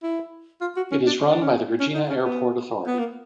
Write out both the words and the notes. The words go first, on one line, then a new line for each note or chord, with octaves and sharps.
It is run by the Regina Airport Authority.
E4
F4
F#4
C#4
D4
C#4
D4
C#4
C#4
D#4
C#4
B3
B3
A#3